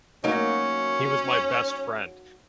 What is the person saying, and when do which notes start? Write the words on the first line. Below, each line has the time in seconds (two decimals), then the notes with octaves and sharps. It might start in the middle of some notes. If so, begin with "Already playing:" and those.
He was my best friend.
0.24 F#3 A#3 C#4 D#4